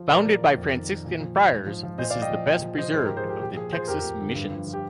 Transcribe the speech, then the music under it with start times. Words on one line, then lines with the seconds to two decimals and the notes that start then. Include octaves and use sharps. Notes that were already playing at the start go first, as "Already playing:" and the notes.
Founded by Franciscan friars, this is the best preserved of the Texas missions.
Already playing: F3
0.09 A#2 A#4 D5
0.26 F3
0.41 F3
0.57 F2
0.73 D#3
0.89 D#3
1.05 A#2
1.20 F3
1.36 F3
1.52 G#2
1.67 F3
1.83 F3
1.98 A#2 C5 D#5
2.10 D5 F5
2.15 F3
2.22 D#5 G5
2.30 F3
2.46 A#2 D#5 G5
2.62 F3
2.78 F3 C5 D#5
2.93 G#2 G#4 C5
3.05 G4 A#4
3.10 F3
3.17 G#4 C5
3.24 F3 G4 A#4
3.41 A#2 G4
3.56 F3 G#4
3.72 F3 G#4 C5
3.88 F2 G4 A#4
4.04 F2
4.20 D3
4.35 G2
4.51 F3
4.67 F3
4.73 G4